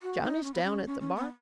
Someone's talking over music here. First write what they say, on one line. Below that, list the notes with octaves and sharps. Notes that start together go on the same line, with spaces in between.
Johnny's down at the barn.
F#4
D#4
C#4
B3
C#4
C#4
C#4
B3